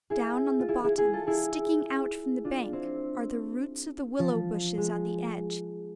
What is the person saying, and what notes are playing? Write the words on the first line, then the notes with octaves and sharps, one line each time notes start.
Down on the bottom, sticking out from the bank, are the roots of the willow-bushes on the edge.
E4 G#4
F4
E4 G#4
E4 G#4
E4 G#4
F4 A4
E4 G#4
D4 F4
C4 E4
F3
G#3